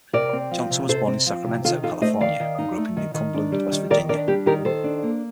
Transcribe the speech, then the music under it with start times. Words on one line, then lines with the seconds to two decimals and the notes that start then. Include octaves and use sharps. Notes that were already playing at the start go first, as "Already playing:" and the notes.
Johnston was born in Sacramento, California, and grew up in New Cumberland, West Virginia.
0.13 C3 A#4 D5
0.33 C4
0.51 F3
0.70 C3
0.89 C3 A4 C5
1.07 C4
1.26 F3
1.45 C3
1.65 D#3 F4 A4
1.83 D#4 F4 A4
2.01 A3 C5 D#5
2.20 D#3 D5 F5
2.40 D#3
2.58 D#4
2.78 A3
2.97 D#3
3.14 D#3
3.34 D4
3.52 G3
3.72 D#3
3.90 D#3 A#4 D5
4.09 D4 A#4 D5
4.27 G3 G4
4.46 D#3 G4 A#4
4.65 D#3 A4 C5
4.84 D4
5.03 A#3